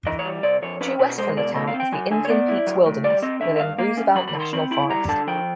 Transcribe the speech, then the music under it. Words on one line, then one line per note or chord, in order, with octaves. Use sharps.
Due west from the town is the Indian Peaks Wilderness within Roosevelt National Forest.
E3 D#5
C#5
G3
C3 D5
F2 C#5
C#4 B4
B2 B4
G#3 C5
B2 D5
A3 D#5
F5
C4
G5
F#3 G#5
D3 G#5
C#5
B3 D5
E4
F#3
A2
G3 D5
C4 D#5
D3 E5
E5
G2 F5
A#3 F5
C#4
F#3 B5
B5
D#3
C6
C4 B5
E4 B5
G3 A#5
D3 A5
F3 G5